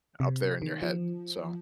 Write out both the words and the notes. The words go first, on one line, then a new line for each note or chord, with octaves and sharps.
up there in your head. So,
C3
D#3
F3